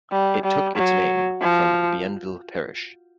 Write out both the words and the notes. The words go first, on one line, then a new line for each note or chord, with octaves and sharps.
It took its name from Bienville Parish.
G3
G3
F#3
F3